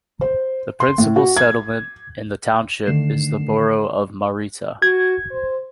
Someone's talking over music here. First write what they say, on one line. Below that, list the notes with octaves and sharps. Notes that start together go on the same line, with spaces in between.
The principal settlement in the township is the borough of Marietta.
C5
C6
A2
F#4
G#6
D3 D#3 A3 C7 E7
F#4 G#6
C5